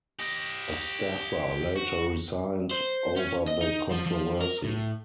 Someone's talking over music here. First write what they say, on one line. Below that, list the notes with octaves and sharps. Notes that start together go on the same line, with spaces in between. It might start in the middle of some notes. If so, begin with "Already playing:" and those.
A staffer later resigned over the controversy.
G4 D#5
F#4
C5
C#4
D#5
D#4
F3
F3
A#4
A2